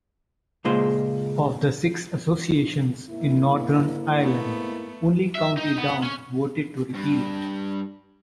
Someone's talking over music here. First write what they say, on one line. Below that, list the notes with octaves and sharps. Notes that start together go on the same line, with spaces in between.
Of the six associations in Northern Ireland, only County Down voted to repeal it.
C#2 A#2 G#3 F4 C5
G#2 A#3 E4
A3 B3
E5
D#4
B3
C#4
G2